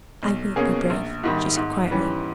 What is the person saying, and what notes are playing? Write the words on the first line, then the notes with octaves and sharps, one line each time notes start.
"I will be brave," she said quietly.
B1
B2 A#3 C#4 G#4
A#1
G#2 D#3 G3
G#2
E3 G3 C#4